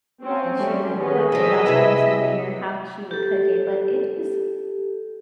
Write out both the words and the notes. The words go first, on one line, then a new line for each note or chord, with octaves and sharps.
and she would put the dumplings in there how she would cook it but it is, uh,
C4 C#4
F#3 G3 A3 C#4
D#3 B3 C#4 G#4
F3 A#4 D#5 E6 B6
C3 E4 B4
G4 A4